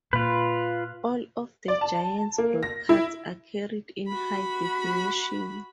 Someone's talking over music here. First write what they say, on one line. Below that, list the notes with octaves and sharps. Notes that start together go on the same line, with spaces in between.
All of the Giants broadcasts are carried in high definition.
A#2 F4 B4
D5
A5
A#3
A#6
E4
F#4 B5